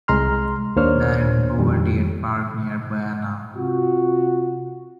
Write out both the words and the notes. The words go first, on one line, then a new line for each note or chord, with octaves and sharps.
Died in poverty at Park, near Bearna.
C2 G#3 A#5 C6 F6
D#2 A#3 D4 C5 C#5 F6
F2 D#3 G3
C3 F4 F#4